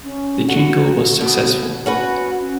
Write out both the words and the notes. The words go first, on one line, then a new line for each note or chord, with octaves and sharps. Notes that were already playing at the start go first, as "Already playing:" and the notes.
The jingle was successful.
C#4
A3 F#4
B2
C#4 F#4 B4
C#4